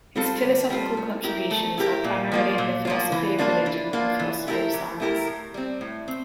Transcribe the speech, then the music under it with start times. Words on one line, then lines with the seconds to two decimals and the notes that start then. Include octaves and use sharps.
His philosophical contributions are primarily in the philosophy of religion and philosophy of science.
0.16 G3 C4 F4 A4
0.43 D3
0.70 G3 C4 F4 A4
0.97 A3
1.23 E4 G4 A#4
1.51 A3
1.77 E4 G4 A#4
2.04 A#2
2.32 F3 A#3 F4
2.58 A#2
2.85 F3 A#3 F4
3.12 E3
3.39 A#3 D4 F4
3.66 E3
3.93 A#3 D4 F4
4.19 E3
4.47 A3 E4 G4 A#4
4.73 E3
5.00 A3 E4 G4 A#4
5.27 A2
5.54 G3 C4
5.81 A2
6.08 C4